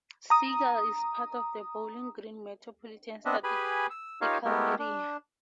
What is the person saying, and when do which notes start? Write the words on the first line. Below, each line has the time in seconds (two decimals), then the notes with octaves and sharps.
Segal is part of the Bowling Green Metropolitan Statistical Area.
0.30 A#5 D#6
3.25 B3 C4 D4 D#5 E5 F#5
3.44 G4 G#4 B4 G#5 B5
3.90 E6
4.21 D#4 F4 G4 A#4 C#5 F5
4.45 G#3 A3 B3 E4 G4 A#4
4.79 D4